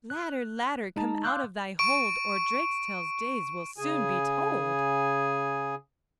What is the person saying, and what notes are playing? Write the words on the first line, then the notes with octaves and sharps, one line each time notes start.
'Ladder, Ladder, come out of thy hold, Or Drakestail's days will soon be told.'
F#6
G#3 D#4 A5 A#5
F5 C6 D6 E6 F#6 G6
C#6 D7
C#3 G#4 G#5